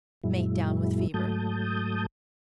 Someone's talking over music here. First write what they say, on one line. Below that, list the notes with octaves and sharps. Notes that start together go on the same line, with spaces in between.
Mate down with fever.
F#2 A#2 F#3 G#3 E4
G#2 F#3 A3 A5 D#6 G6